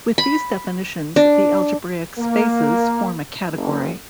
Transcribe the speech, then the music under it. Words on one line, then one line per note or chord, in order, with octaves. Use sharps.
With these definitions, the algebraic spaces form a category.
B5
D4
A#3
F#1